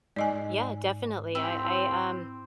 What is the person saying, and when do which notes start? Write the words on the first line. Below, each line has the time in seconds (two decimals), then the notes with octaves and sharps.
Yeah. Definitely. I I, um,
0.16 G#2 D5 D#5 G#5
1.35 C4 E4 G4